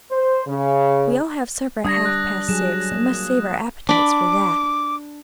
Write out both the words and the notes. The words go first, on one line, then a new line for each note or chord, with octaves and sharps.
"We all have supper at half past six and must save our appetites for that."
C5
C#3
G3 D4 D#6 G#6 A#6
F#6
F#3 G3 G#4 E7
A#6
A#3
D4 B5 D6